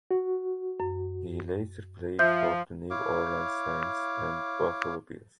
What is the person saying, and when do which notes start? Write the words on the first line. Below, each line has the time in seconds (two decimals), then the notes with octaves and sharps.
He later played for the New Orleans Saints and Buffalo Bills.
0.11 F#4
0.80 F#2
2.19 F3 E5 G6
2.90 E4 C#5 F5 D6